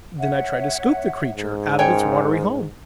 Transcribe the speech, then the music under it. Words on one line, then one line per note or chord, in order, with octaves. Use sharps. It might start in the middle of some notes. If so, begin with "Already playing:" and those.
Then I tried to scoop the creature out of its watery home.
C#5 E5 F#5
G#2
C#4 A#4 C5 C#5 G5 G#5